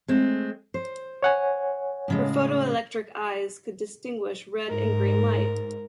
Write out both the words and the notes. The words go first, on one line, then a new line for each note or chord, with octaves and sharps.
His photoelectric "eyes" could distinguish red and green light.
G#3 A3 C4
C5
C#5 F#5 G#5
A2 C#3 G#3
G#2 A#4